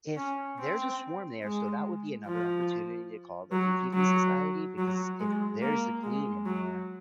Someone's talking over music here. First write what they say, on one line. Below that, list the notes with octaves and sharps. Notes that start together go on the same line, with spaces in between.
If there's a swarm there, so that would be another opportunity to call the beekeeping society because if there's a queen in there,
C#4
C4
G#3
F3
F#3
F#3
F#3
G#3
A#3
G#3
F#3